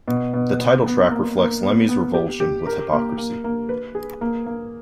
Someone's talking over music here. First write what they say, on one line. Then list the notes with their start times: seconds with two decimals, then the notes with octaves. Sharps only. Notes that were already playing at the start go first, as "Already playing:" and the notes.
The title track reflects Lemmy's revulsion with hypocrisy.
0.08 B2
0.34 B2
0.59 B3
0.86 B3
1.11 A#3
1.37 A#3
1.63 B3
1.89 B3
2.14 G4
2.40 G4
2.66 A#4
2.93 A#3
3.18 A#3
3.44 A#3
3.69 B4
3.95 G#4
4.21 A#3
4.46 A#3